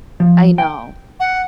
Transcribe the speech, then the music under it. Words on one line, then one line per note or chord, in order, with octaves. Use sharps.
I know.
F3
G5
F#5